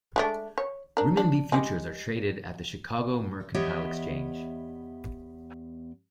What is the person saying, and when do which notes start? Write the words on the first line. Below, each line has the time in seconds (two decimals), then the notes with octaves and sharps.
Renminbi futures are traded at the Chicago Mercantile Exchange.
0.16 G#3 A3 D4
0.58 C#5
0.97 D4 A#4
1.17 D4
1.52 G3 G#3
3.55 E2 B3 G4 C#5 D#5 E5